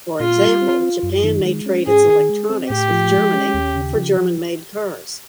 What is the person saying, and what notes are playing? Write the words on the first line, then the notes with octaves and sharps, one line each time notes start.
For example, Japan may trade its electronics with Germany for German-made cars.
A#2 F4
G3
C4
F4
F#2
D#3
G#3
C#4
G#2 G#4
D#3
G#3
C4
A2 G4
F3
G#3
C#4
D#2
C#3
F3